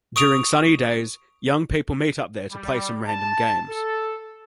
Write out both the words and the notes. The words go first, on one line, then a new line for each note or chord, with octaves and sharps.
During sunny days, young people meet up there to play some random games.
C#6 D#6 D7 F7
G3
A5
A4